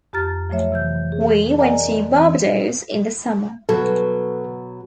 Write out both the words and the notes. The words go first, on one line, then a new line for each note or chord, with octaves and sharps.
We went to Barbados in the summer.
F2 G4 A#5 F6 A6
F3 F#3 A3 C#5 E5
C3 E3 G6
G#4
A#4 D5 D#5 F5 G#5 A#5
E3 C4
B2 F#3 A4